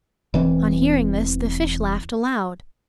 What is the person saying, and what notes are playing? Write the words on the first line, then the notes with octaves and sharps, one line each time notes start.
On hearing this the fish laughed aloud.
E1 E3 C4